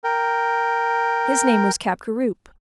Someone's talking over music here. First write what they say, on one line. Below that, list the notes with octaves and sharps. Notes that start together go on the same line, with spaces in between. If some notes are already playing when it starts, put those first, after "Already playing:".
His name was Capgaroupe.
A#4 G5